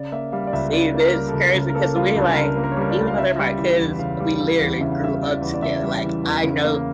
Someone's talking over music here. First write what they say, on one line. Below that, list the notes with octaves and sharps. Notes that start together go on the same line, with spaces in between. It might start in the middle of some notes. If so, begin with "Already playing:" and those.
See, that's crazy, 'cause we like even though they're my cuz, we literally grew up together, like, "I know
Already playing: C#3 D5
A#3 E5
G3 F5
D5
C#2 E5
C#3 D5
A#3
A#4
G3
A4
C#2
C#3 A#4
A#4
A#3 A4
G3 F4
C#2 D4
C#3 A#4
A#3
A#4
C#5
G3 A#4
D5
C#2
F5
C#3 E5
G3
E3
E2
C#3 F5
G3
E3
E2
C#3 E5
F5
G3 E5
E3 D5
E2
D5
C#3 E5
G3
E3
E2
C#3
A#3